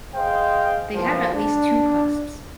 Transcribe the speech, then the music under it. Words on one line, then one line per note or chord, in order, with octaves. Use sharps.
They have at least two cusps.
G#4 C5 D#5 F5 G5
D#2 A#2 E3 F3
D4